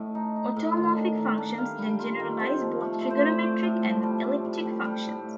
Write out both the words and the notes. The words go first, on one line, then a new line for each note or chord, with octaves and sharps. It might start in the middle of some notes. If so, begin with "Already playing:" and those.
Automorphic functions then generalize both trigonometric and elliptic functions.
Already playing: A2 A3 D#5
D#4
D#4
A2
D#3
D4
D#3
D4
G3 F5
G3
F4
D#3
C4
F3
A3
A2
C5
C4 D5
A3
A2
F3
G3
D4
A2
G3
G3
A2